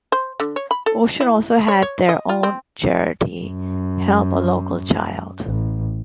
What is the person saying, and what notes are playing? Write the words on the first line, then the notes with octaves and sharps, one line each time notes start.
Ocean also had their own charity, Help a Local Child.
C5
D3
C#5
B5
A4
E4
C#5
C#5
D#5
F4
C4
F#2
A1